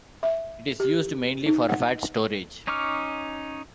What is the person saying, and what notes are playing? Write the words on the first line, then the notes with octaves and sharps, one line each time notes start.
It is used mainly for fat storage.
E5
G4
D#4
F#5
C#4 D#4 C#6 D6 F6